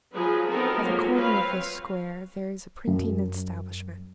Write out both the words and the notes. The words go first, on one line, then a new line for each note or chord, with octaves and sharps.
At the corner of this square there is a printing establishment.
F3 F#3 G#4 B4
B3 C4 D#4 F#4 A4 A#4
F3 F#3 G#3 A#3
C4 B4 C#5 F5
F#2